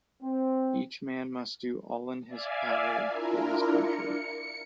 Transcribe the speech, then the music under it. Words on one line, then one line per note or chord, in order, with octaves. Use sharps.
Each man must do all in his power for his country.
C4
D5 E5 F5 G#5
D4 E4 F4 A#4
C#7